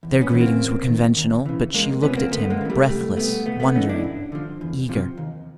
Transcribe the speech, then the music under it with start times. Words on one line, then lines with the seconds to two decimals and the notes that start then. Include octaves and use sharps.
Their greetings were conventional, but she looked at him, breathless, wondering, eager.
0.03 E2
0.21 B3 C#4
0.32 C#3 E3
0.40 A#3 C4
0.60 G2
0.88 D#3
1.16 D#2
1.46 C#3 E3
1.74 F2 G#3 A#3
2.02 C3 F3 B3 C#4
2.16 A#3 C4
2.31 D2 A3 B3
2.50 G#3 A#3
2.61 C#3 E3
2.70 G3 A3
2.89 C2 G3 A3
3.17 B2 A3 B3
3.46 C#2 A3 B3
3.60 A3 B3
3.75 C#3 E3 C#4 D#4
3.89 D4 E4
4.04 G2
4.32 D3 F3
4.61 E2
4.89 C3 F3
5.18 D#2